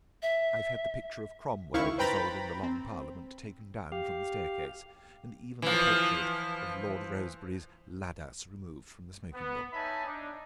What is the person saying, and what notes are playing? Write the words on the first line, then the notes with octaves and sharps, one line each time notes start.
I’ve had the picture of Cromwell dissolving the Long Parliament taken down from the staircase, and even the portrait of Lord Rosebery’s ‘Ladas’ removed from the smoking-room.
E5
C#2 D#3 E4 F5 C#6
B4 C5 G5 A#5 B5 A6
C4
G4 F5
E3 F3
B3
D#4 C#5 E5 G#5 A5 B5
D4 D#4